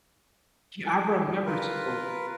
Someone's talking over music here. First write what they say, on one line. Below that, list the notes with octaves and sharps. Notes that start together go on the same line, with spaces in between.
Yeah, I remember so
F4 A#4 B4